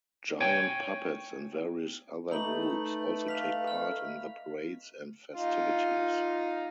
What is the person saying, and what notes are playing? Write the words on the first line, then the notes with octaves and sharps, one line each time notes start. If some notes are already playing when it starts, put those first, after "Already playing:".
Giant puppets and various other groups also take part in the parades and festivities.
C#5 G5 G#5
A3 D#4 B4 B5 F#7
F5 B6 F7
F6
D#4 F4 F5